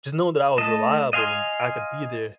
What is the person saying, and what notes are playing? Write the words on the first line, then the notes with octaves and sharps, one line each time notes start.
just knowing that I was reliable and I could be there,
A3 D#5 A5
D#5 F5 G#5 C6